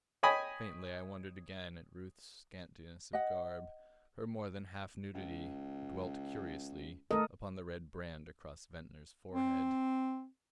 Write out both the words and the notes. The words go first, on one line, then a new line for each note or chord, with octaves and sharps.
Faintly I wondered again at Ruth's scantiness of garb, her more than half nudity; dwelt curiously upon the red brand across Ventnor's forehead.
C#5 D#5 G5 G#5 B5 D#6
D#5 F#5
C#2
A3 D#4 A4 A#4 D#5
C4